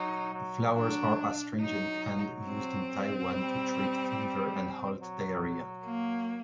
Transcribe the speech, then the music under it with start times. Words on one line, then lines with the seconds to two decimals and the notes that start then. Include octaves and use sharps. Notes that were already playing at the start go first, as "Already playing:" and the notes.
The flowers are astringent and used in Taiwan to treat fever and halt diarrhea.
Already playing: F#3 D#4
0.34 F#3
0.76 D4
1.61 F#3 D#4
2.46 C4
3.31 G3
5.01 F#3
5.85 A#3